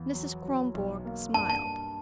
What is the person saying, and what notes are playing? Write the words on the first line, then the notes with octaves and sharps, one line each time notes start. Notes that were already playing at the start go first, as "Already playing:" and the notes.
Mrs. Kronborg smiled.
Already playing: E2
F#3
F#3
B1
A#3
G2 A5
A5